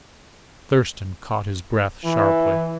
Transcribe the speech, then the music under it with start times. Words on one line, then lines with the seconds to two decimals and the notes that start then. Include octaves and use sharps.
Thurston caught his breath sharply.
2.04 E3